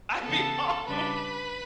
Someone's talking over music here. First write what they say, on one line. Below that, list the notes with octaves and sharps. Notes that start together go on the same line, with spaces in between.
I'd be all over
C#3 E3 B3 A4 A5
C#3 G3 D4 B4 B5